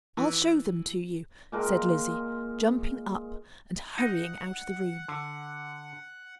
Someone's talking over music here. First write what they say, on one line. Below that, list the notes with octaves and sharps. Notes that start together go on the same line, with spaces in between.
"I'll show them to you," said Lizzie, jumping up and hurrying out of the room.
E3
A#2 G#3 A#4
D#4 F#5
D3